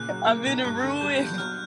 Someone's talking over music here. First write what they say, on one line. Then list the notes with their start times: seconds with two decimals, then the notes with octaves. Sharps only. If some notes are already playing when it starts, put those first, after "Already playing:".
I'm in a ruin.
Already playing: A#2 C#3 F#6
0.09 F#3
0.26 A#3
0.46 B1
0.64 G2 F#6
0.83 D3
1.01 G3 G6
1.20 G1
1.27 G6
1.38 F#3 F6